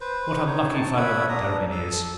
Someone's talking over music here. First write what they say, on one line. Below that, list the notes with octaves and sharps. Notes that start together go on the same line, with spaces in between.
What a lucky fellow that Derebin is!
B4 C5
D#4 C#5
A5
C#5 E5 F#5 B5
D4 A#5 D#6
A4